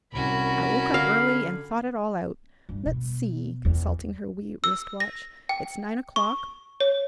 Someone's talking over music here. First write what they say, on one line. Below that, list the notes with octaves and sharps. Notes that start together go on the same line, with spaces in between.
I woke up early, and thought it all out. Let's see," consulting her wee wrist-watch, "it's nine o'clock.
C2 C#4 F#4 A#4 B5
D3 F5
G2
B2
E2
E6
A#6
G5
C#6
C#5